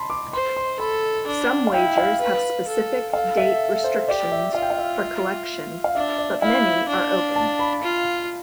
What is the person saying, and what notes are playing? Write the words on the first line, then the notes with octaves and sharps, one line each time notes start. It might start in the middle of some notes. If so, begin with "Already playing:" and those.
Some wagers have specific date restrictions for collection, but many are open.
Already playing: A5 B5 C6
D6
C5 C6
C6
A4 B5
D4
F5
E4 G5
F5
B4
A4
A4 F5
E5
C5
G4 D5
E5
F4 F5
G5
F5
E5
F5
D4 E5
D5
E4 F5
D4
A5
B5
F4